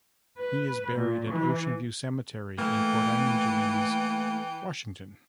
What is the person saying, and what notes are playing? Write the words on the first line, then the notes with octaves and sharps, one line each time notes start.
He is buried at Ocean View Cemetery in Port Angeles, Washington.
B4
A#2
E3
E3 A3 A#3 G5